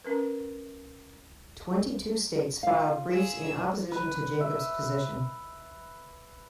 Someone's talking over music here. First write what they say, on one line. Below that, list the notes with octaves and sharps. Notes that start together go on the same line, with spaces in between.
Twenty-two states filed briefs in opposition to Jacob's position.
C#4 A#4 B4
F4 F5
G#4 E6
B4
E5